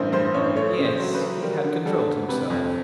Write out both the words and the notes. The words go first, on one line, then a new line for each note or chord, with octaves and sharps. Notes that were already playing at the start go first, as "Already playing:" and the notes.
Yes, he had controlled himself.
Already playing: A1 G2 A#4 C5
G2 C5
A1 C#5
A3 C#5
C#3
C5
F#3
B4
F#3
G3 A#4
D3
G3 A4
D3
C3 B4
F2